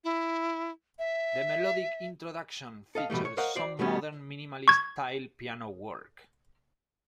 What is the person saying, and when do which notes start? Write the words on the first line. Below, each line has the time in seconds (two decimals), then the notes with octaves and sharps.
The melodic introduction features some modern minimalist style piano work.
0.04 E4
0.99 E5
2.95 A4 D#5 F5
3.10 B2 E3 G3 A3
3.25 C#5
3.37 A#4 C5 C#5 D#5 F5 F#5
3.55 F#4 C5 D5
3.79 B2 G3 A3 B3 C#4
4.68 C#6 G#6